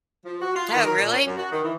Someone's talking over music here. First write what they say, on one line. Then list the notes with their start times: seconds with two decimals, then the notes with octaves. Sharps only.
Oh, really?
0.25 F3
0.42 F#4
0.55 F4
0.74 D#3
0.86 A#4
0.99 A#2
1.13 C#4
1.26 F#2
1.37 F#4
1.52 D#3
1.64 E3